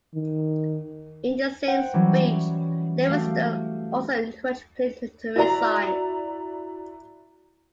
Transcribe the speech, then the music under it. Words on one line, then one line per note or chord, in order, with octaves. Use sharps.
In the same speech, Livingston also encouraged Clinton to resign.
D#3
C5 F#5 G5
E3 F#3 G3 C#4
A3 F#4 G4 F5
E4 F#4 D5 A#5